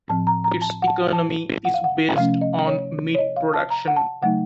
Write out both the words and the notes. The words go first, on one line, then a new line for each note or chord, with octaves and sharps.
Its economy is based on meat production.
A2 F3 C4 A5
A#5
A#5
A5
F#5
A5
A5
F#5
F5
F#5
C3 F3 A3 C#4 F5
D#5
C#5
C#5
D#5
F5
A5
A#5
F#5
A5
C#3 F#3 A3 D#4 F#5